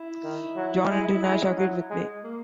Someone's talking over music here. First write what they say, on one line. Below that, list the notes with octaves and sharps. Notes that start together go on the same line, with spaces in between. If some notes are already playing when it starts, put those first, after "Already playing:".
John Henry Nash agreed with me.
Already playing: E4
D#3
F#3
G#3
G#3 E4
C#4
F#3 E4
G#3
A#3